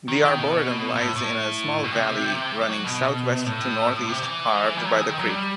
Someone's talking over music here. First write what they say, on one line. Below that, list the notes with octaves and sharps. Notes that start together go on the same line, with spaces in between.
The arboretum lies in a small valley running southwest-to-northeast carved by the creek.
D#3
D#3
B2
B2
A2
A2
B2
C3
G3
F#3
B2
A2
C3
E3
G3
F#3
E3
D#3
D#3
F#3
G3